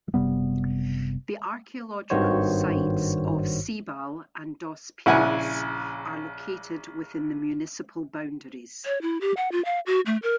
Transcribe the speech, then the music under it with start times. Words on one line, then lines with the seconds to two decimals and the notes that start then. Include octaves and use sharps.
The archaeological sites of Ceibal and Dos Pilas are located within the municipal boundaries.
0.14 F#1 C3 G3 B3
2.10 G#1 G2 D#3 F#4 C5 C#5
5.06 A#1 C#3 E4 F#5 G#5
8.86 C#5
9.02 E4
9.21 G4
9.37 F#5
9.52 F4
9.65 F5
9.86 F#4
10.06 A3
10.23 A#4